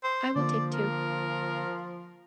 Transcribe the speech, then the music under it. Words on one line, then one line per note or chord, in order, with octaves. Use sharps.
I will take two.
C5
D3 F3 A#3 D5
A#4